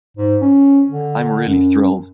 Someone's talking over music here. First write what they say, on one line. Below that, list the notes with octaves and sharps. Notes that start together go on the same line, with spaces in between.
I'm really thrilled.
G#2
C#4
D3
F#2